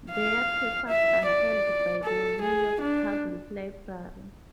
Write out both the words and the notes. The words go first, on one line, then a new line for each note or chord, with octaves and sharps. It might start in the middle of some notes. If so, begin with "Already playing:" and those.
Their papers are held by the New York Public Library.
F5
E5
D5
A4
G#4
D4